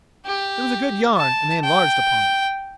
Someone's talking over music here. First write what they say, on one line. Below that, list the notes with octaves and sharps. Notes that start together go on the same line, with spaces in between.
It was a good yarn, and they enlarged upon it.
G4
A5
G5